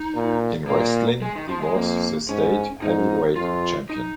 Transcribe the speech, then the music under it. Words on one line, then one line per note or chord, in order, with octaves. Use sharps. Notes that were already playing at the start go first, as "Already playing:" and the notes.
In wrestling, he was the state heavyweight champion.
Already playing: D#4
A#2
A#2 A#3
G#3
D#3
F3
G#3
F2 A#3
G#2 C#4
G#2 D#4
F2 F4
D#4